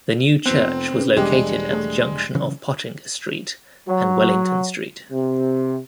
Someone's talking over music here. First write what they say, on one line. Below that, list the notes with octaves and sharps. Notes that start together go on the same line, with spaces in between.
The new church was located at the junction of Pottinger Street and Wellington Street.
F1 F3 B3 C4 F#6
C#3 G4 B4
E1 G3 G#3 D4 G4
A3 G#4
C#3 E3 F#3
F#3
C3